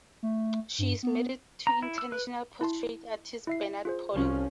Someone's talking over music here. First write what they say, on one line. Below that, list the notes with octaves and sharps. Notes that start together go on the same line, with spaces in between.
She is married to international portrait artist Bernard Poulin.
A3
G2
B3
A#5
E4
E6
B4
E4 A5 C6
E4 E5 C7
F4 G#4 C5
C2 F3 C#4